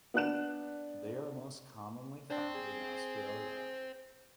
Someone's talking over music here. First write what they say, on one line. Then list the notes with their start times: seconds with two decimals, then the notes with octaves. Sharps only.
They are most commonly found in Australia.
0.14 B3 D4 F#6 E7
2.30 D4 C5 G5
2.55 G#4